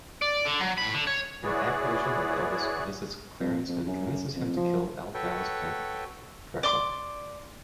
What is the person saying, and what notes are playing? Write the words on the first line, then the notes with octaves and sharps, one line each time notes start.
An apparition of Elvis visits Clarence and convinces him to kill Alabama's pimp Drexl.
D5
D3
F#3
A2 B5
D3
C#5
E4 F#4 G#4 B4 C#5 D5
F2
F2
F#2
F2
F3
F#4 A4 B4 C#5 G5
D5 C6 D6